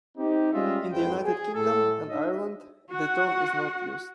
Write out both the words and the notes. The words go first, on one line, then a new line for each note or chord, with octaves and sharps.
In the United Kingdom and Ireland, the term is not used.
C4 D#4 G4
G3 G#3 C#4 F4 D#5 E5
F2 G#2 G#4 B4 C5 G5
G#4
A2 A4
D4 D#4 C#5 D#5 E5
F#4 F#5